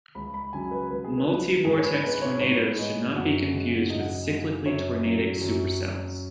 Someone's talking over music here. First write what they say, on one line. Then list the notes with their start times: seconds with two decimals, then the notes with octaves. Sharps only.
Multivortex tornadoes should not be confused with cyclically tornadic supercells.
0.15 C#2 B5
0.34 B5
0.53 C#3 F#3 C#4 G#5
0.71 B4
0.91 C#2 B4
1.04 G#4
1.18 B4
1.28 C#3 F#3 C#4
1.65 G#2 G#4
1.78 C#5
1.84 B4
2.03 G#3 B3 B4
2.22 C#5
2.40 G#2 C#5
2.78 G#3 B3 D#5
3.16 F#2 F#5
3.54 C#3 G#3 C#4
3.90 F#2 D#5
4.00 F#5
4.10 D#5
4.29 C#3 G#3 C#4
4.66 F#2 C#5
5.04 F#3 C#4
5.41 F#2
5.79 F#3 C#4